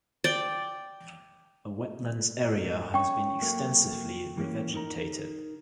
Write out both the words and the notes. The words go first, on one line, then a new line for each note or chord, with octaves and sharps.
A wetlands area has been extensively revegetated.
D5 G5
C#4 G5 C#6
F#3 A3 A#3
E3 A#3 C#4
D#4 A#4 A#5